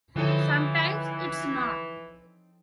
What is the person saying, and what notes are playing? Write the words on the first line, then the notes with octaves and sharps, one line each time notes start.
Sometimes it's not.
D3 E3 F3 C4 D#4 E4 A4 C#5